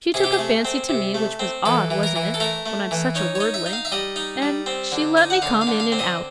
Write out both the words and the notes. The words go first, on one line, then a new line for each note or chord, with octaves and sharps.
She took a fancy to me--which was odd, wasn't it, when I'm such a worldling?--and she let me come in and out.
C3 G#4
G4
G#4
A3
C4
C3
A3
C4
E3 A4
E3
A#4
E3
A4
A3 A#4
A3
E3
D#4 C#5
C#5
D#4
E5
D#4
F5
E5
G3 D#5
D#4
G3
C4
D3
D#4
F#5
D3 F5
F5
D3
F5
C4
D#5